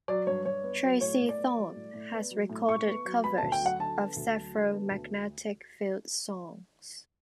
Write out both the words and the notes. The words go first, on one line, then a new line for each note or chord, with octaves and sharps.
Tracey Thorn has recorded covers of several Magnetic Fields songs.
F#3 D5
G2 C#5
G2 C#5
B3
F#3
A2 C#5
A2
D5
B3
F#3
A2
A2
B3
F#3
A2
A2 C#6
B3
F#3
B3 B5
A5
D2
G5
F#3 F#5
D3 A5
B3
D2
F#3
D3
B3
D2